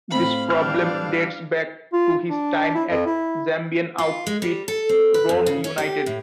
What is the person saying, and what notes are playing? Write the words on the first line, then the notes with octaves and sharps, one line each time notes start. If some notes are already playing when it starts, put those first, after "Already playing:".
This problem dates back to his time at Zambian outfit Roan United.
A2 C4 F5 B5
E3 G3 D4 F6
F4
D4
E4
F2
E4
F4
G#3
G3
A4
C4
B4
F2
C#3
C#4
G4
A2